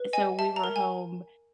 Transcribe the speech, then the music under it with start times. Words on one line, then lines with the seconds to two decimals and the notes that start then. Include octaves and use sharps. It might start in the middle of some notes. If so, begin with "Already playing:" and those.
so we were home
Already playing: B4
0.13 D#5 G#5
0.39 E5 A5
0.56 A#5
0.64 A#4
0.76 G#5